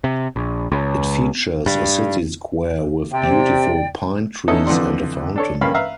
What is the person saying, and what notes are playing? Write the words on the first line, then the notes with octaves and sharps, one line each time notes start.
It features a city square with beautiful pine trees and a fountain.
C3
A#1
C#2
G2
C3 D5 G5
E2 C#4 D#4 E4 A4 D#6
F2 D3 E3 D5 C6
D4 A4 C#5
G2 A#3 C#4 F5 B5
B4 E5 F5 A#5